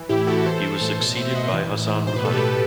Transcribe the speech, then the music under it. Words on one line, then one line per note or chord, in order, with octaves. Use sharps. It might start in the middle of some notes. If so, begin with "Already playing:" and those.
He was succeeded by Hassan Rouhani.
Already playing: E3
A2 E4 G4
A2 F#4 A4
E3 A4 C5
E3
A2
B2 A4 C5
B2 C5 E5
B2 D#5 F#5
E3
A2
A2
B2 C5
B4
B2 A4
G4 B4
B2